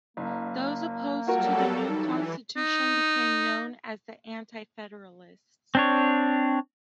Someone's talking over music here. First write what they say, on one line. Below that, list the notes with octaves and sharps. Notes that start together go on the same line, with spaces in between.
Those opposed to the new Constitution became known as the "Anti-Federalists".
F#1 A#3
F#3 G3 F4 F#4 A4 A#4 F#5
E3 D#4
D#4
C4 D4 C#5